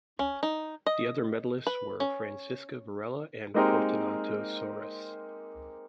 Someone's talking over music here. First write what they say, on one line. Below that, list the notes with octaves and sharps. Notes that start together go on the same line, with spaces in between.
The other medallists were Francisca Varela and Fortunato Soares.
C#4
D#4
D#5
B4
C#4
G#3 A#3 C4 D#4 G4 A#4